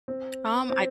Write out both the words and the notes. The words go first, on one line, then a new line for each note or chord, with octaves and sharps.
Um, I
C4
C4